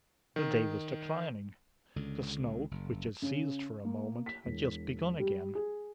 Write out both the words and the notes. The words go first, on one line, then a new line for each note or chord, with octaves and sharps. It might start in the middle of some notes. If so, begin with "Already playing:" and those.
The day was declining; the snow, which had ceased for a moment, had just begun again.
D#3
C#2 D3
F#1
C#3
A#3
B6
E1
G3
G#4